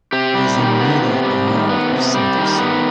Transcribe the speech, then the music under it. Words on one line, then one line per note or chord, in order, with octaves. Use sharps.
It is immediately north of Center City.
C3 G4
G3
D#3
B3
C3
G3
D#3
B3
C3
G3
D#3
B3